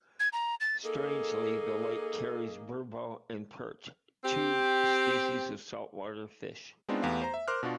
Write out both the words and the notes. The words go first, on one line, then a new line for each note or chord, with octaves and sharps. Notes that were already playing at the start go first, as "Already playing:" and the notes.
Strangely, the lake carries burbot and perch, two species of saltwater fish.
G#6
A#5
A6
A#3 D#4 G#4 A4
C4 G4
G#3 B3 C4 D4 D#4 F4
E2 A3 B3 G4 F5
C5 A#5
E5
A#4 C5 C6 D6 F6 F#6
B2 D4 F4 F#4